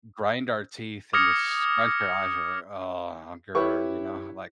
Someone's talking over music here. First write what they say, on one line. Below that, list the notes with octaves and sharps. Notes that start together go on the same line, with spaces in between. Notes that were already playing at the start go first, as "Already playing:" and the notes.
grind our teeth and just scratch your eyes or there, ah, grrr, you know, like,
D6 D#6 F6 G#6 A#6 C#7
E4 G4 B4 C#5 C#6